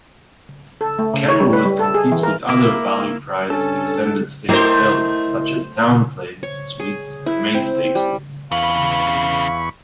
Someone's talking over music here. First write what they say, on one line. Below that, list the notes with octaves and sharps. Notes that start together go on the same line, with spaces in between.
Candlewood competes with other value-priced, extended-stay hotels such as TownePlace Suites and Mainstay Suites.
A4
A3
C#3
C#5
G3
B4
G3
A4
G#4
E3
A#4
A#3 E4 A#4 E5 D6
G2 C#4 A4
A3 E4 A#4 C5 D#5
C#5
G#4
E4
C4
G3
E2 C#3 B4 F5 B5 C#6